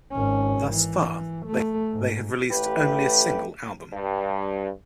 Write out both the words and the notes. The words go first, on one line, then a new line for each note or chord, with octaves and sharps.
Thus far they have released only a single album.
G#1 C#4
E3
A3
G#2
A1 A3 G4 B4
G2